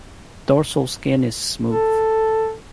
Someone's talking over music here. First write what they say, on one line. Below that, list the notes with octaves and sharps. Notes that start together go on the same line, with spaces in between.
Dorsal skin is smooth.
A4